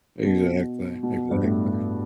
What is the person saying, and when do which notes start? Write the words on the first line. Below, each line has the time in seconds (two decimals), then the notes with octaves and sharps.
Exactly, exactly.
0.25 B2
1.03 B2
1.31 G2
1.43 A2